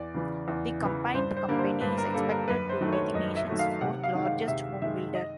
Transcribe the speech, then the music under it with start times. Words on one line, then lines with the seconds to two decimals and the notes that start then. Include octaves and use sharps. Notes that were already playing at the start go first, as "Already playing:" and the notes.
The combined company is expected to be the nation's fourth largest home builder.
Already playing: E2 D5
0.14 C#3 E3
0.48 E2
0.81 C#3 E3
1.14 G2 C5
1.37 C5
1.48 D3 G3 A#3
1.59 C5
1.81 G2 B4
1.98 A#4
2.14 D3 G3 A#3 A4
2.31 A#4
2.48 F#2 B4
2.69 C5
2.81 D#3 F#3 A3
2.92 C#5
3.14 F#2 D#5
3.36 E5
3.47 D#3 F#3 A3
3.59 F5
3.81 C3 F#5
4.04 F5
4.15 D#3 G#3
4.25 F5
4.47 C3 E5
4.82 D#3 G#3 E5
5.15 D#5